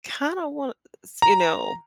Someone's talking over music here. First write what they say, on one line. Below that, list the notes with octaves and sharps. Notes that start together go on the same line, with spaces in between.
kinda wanna s you know,
A#5